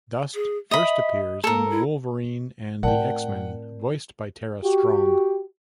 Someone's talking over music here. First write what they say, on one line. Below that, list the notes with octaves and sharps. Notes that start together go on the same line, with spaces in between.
Dust first appears in the "Wolverine and the X-Men", voiced by Tara Strong.
G#4
D#5 E5 B5
A#3 A4 A#4
E4
A2 C4 A#4 D5 F#5 G5 A5
F#4 G4